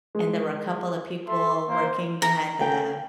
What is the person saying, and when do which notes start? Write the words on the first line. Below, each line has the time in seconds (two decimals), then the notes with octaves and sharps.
and there were a couple of people working behind the
0.15 G#3
1.26 A4 E5 C6
1.67 A#3 C5
2.22 A#5
2.61 A4 G5